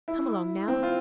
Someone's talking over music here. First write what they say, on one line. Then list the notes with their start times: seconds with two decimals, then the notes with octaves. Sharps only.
Come along, now.
0.08 E4
0.68 C4
0.83 F4